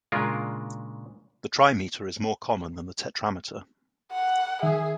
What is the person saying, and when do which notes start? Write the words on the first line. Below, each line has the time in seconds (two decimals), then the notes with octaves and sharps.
The trimeter is more common than the tetrameter.
0.12 A#2 C#3 G#3 D4 F4 A#4
4.11 F#5
4.62 D#3 G#4 E5